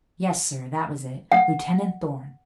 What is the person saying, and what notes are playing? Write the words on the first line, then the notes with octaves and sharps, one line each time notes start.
"Yes, sir, that was it--Lieutenant Thorn."
F#5